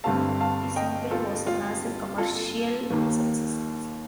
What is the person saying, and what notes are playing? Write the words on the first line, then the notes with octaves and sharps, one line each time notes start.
The single was a massive commercial success.
G1 G2 D3 A3 C4 F5 A5
F5 A5
D#5 G5
F4 A4
F4
F4 A4
D#2 D#3 A#3